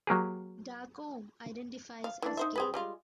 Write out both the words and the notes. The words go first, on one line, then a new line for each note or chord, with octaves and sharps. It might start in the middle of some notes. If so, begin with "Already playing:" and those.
Darkholme identifies as gay.
F#3 A#3 G4 G#4
F5
E3 D4
D#4 C5 E5
C4 G#4 B4
G3 G#3 F4